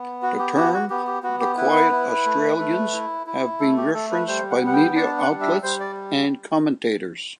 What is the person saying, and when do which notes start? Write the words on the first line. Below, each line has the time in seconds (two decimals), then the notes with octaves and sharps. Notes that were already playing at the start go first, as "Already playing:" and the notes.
The term "The Quiet Australians" has been referenced by media outlets and commentators.
Already playing: B3
0.22 F#4
0.39 G4
0.56 F#4 G4
0.73 F#4
0.90 B3 G4
1.07 G4
1.23 B3 F#4
1.40 G4
1.57 E4 B4
1.91 E4
2.25 A3
2.59 A3
2.93 E4
3.27 E4
3.60 A3 A4
3.77 G4
3.94 A3 A4
4.11 B4
4.28 G3 C5
4.51 F#5
4.61 B3
4.67 F#5
4.73 G5
4.96 D4 A5
5.19 F#5
5.29 G3
5.41 E5
5.63 G3 C5
5.80 D5